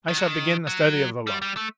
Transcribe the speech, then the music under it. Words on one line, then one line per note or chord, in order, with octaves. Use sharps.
I shall begin the study of the law.
D#3
F#3
D#3
F#3
G3
G3
A3